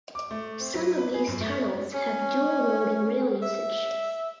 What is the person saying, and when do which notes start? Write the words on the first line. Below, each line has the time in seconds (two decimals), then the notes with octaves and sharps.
Some of these tunnels have dual road and rail usage.
0.15 D6
0.31 A3
0.60 C4
0.74 F#3
0.97 B4
1.14 G#4
1.27 F#2
1.41 A3
1.94 C#4
3.43 E5